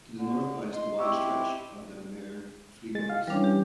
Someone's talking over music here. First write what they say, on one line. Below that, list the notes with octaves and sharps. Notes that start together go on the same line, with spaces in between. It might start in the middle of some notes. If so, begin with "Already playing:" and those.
To the north lies the wide stretch of the Mare Frigoris.
D3
D#5 C6
C4 E4 G4 C#6 E6
G#3 A6
F5
E3 G3 C#4 D4
G4